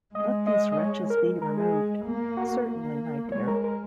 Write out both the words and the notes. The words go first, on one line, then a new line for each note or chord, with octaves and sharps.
'Let these wretches be removed.’ ‘Certainly, my dear'.
G#3 D#5
D#5
D#5
C#5
A#4
G#3 A#4
G#4
A#3
F#4
A#3
G#3 C#5
A#4
A#4